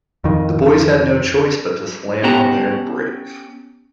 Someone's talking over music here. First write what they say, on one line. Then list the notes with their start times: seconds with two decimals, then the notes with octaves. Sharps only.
The boys had no choice but to slam on their brakes.
0.24 F2 D#3
2.23 B3 C#4 G4 F#5 A5 A#5